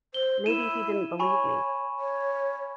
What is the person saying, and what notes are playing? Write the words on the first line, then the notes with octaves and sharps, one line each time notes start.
Maybe he didn't believe me.
C5 G7
E4 D#7 E7
C#5 G#5 B5 C#6
C#5